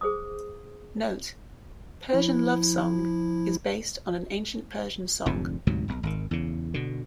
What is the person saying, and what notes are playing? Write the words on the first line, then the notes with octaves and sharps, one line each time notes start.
Note: "Persian Love Song" is based on an ancient Persian song.
G#4 C5 D6 D#6
F3 E4
F1 F2 G#2 D3
D2 G#2 C3 F#3
D#1 B1
G#1 D#3
E2 C#3
B2 D3